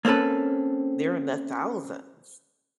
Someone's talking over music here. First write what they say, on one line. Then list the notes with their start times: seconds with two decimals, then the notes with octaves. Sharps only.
they're in the thousands,
0.05 A#3 C4 C#4 A4 B4